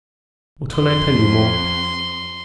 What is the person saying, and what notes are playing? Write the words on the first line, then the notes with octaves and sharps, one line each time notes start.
What shall I tell you more?
F2 C6